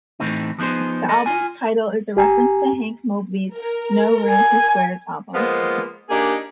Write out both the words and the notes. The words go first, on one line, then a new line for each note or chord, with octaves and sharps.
The album's title is a reference to Hank Mobley's "No Room for Squares" album.
A2 E3 A3 C4 D#4
F3 B3 D#4 G#4 C5
A4 D#5
F4 G#5
G4 G#5 A#5
A#4
G#5
F3 G#3 A#3 B3 F4
A#3 D4 D#4 G4 G#4